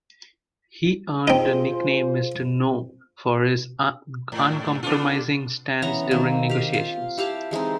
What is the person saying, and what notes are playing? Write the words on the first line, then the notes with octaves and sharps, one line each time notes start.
He earned the nickname "Mr. No" for his uncompromising stance during negotiations.
C4 D#4 F4 G#4 C5
G#2
B3 D4 F4 A4
E3 B3 C#4 A#5
D#3 A#3 C4
G4 F5
F4
E4 G4 F5 A5
E3 G#3 C4 D#4